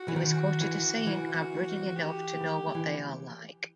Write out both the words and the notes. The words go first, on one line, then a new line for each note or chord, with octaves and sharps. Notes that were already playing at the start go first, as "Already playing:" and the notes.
He was quoted as saying I've ridden enough to know what they are like.
Already playing: F#4
E3
D#3
E3
E3
G4
E3